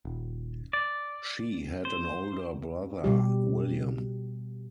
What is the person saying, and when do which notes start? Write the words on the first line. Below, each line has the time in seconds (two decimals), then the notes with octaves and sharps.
She had an older brother, William.
0.05 D#1
0.73 D5
1.85 C5
3.04 B2 G3 G4